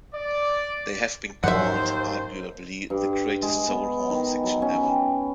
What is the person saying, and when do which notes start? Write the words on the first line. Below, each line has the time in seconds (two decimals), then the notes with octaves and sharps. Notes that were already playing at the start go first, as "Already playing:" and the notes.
They have been called arguably the greatest soul horn section ever.
0.14 D5
1.44 D#2 G#2 F3 F#3 C5 E5 F#5
2.90 G2
3.42 G#3
3.68 B3
4.10 D#3
4.44 F#3
4.62 C#4
4.84 G5